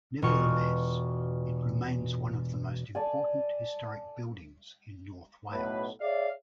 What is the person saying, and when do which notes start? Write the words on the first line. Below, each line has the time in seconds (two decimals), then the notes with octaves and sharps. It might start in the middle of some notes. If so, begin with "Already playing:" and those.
Nevertheless, it remains one of the most important historic buildings in North Wales.
0.22 E1 B2 F4 C#6 F6
2.95 A4 D5 G#5
5.51 B1 A2 B4
6.01 G#4 C#5 D5 E5 F5